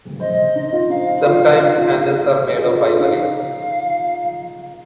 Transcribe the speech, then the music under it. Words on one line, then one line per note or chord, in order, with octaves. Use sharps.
Sometimes handles are made of ivory.
C5 D#5
D#4
F4
D#4 F5
F4
F4
D#4
F4
F4
G#4
G#4
G#4
G#4
F4
G#4
F4
D#4 F5